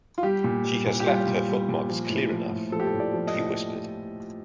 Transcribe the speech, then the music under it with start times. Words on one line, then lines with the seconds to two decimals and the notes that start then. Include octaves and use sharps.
"She has left her footmarks clear enough," he whispered.
0.18 F4
0.23 G3 G4
0.44 A#2
0.65 G3
0.86 A#2
1.00 G4
1.06 G3 F4
1.27 A#2
1.48 G3
1.69 A#2
1.89 F3
2.10 A2
2.31 F3
2.51 A2
2.72 F3 A4
2.80 G4
2.87 A4
2.93 A2
3.00 D5
3.14 F3
3.27 D#5
3.34 A2